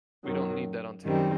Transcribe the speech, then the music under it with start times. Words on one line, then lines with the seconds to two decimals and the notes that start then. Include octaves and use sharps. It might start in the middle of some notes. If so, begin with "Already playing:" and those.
We don't need that on tape!
0.24 F#2 D#3 F#3
1.04 F#2 D#3 G3 C4 D#4